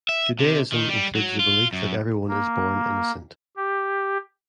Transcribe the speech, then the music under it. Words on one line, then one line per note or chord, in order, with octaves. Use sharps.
Judaism includes the belief that everyone is born innocent.
E5
C3
D#3
G3
F#3
F4
F#2
A#3
G4